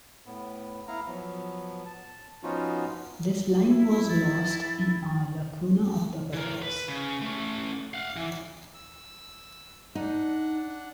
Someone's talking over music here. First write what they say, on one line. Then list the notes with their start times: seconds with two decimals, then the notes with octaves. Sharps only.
This line was lost in a lacuna of the papyrus.
0.26 A2 B3
0.88 B3 E4 F5 A#5
1.07 F3 F#3 B3
1.86 A5
2.43 F3 B3 C#4 D#4 F4 F#4
3.70 E4
4.10 A6
6.33 E3 A#4
6.62 B4
6.88 C#3
7.22 A3 C#4
7.94 F5 F#5
8.17 E3
8.74 E6
9.95 D4 D#4 F#5